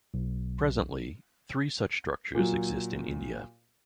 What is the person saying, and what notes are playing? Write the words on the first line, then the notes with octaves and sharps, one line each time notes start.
Presently, three such structures exist in India.
B1
A#2 F#3